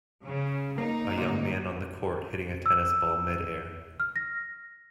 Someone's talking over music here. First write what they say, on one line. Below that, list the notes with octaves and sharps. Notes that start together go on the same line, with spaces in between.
A young man on the court hitting a tennis ball midair.
C#3
A#3 D#4
D2 A#2
E6
F6
A#6